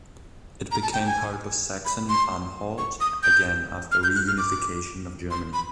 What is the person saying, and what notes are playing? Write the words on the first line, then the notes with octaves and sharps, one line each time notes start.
It became part of Saxony-Anhalt again after reunification of Germany.
A#5
A5
G5
G#5
B5
C6
C#6
D#6
G6
F6
G6
F#6
F6
D6
C6
B5